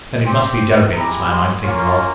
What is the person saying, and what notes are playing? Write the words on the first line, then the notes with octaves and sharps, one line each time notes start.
Then it must be Derebin's man I am thinking of.
C4 G4 C6
G#3 E4 G4 A#5
C6
A#3 C#4 F4